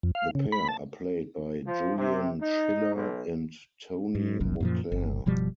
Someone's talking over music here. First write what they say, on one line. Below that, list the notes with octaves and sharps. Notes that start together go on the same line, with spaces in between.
The pair are played by Julian Schiller and Tony Moclair.
F2
F5
C#3
B5
A5
F3
C3
D#4
B1
G#2
F#1 C2 F#2
F#2 A#2 F3
G1
F#1 B2 F3 G3